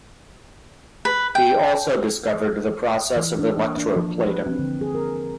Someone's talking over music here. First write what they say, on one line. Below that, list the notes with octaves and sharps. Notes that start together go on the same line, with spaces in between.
He also discovered the process of electroplating.
B4
G5
E3
D4
A#3
D4
F3
B4
C4
D3
G#4
A#4